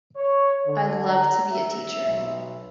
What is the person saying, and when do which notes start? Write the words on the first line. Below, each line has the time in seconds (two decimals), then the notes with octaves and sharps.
I’d love to be a teacher.
0.17 C#5
0.67 D3
1.10 A#5
1.52 E5
2.07 B1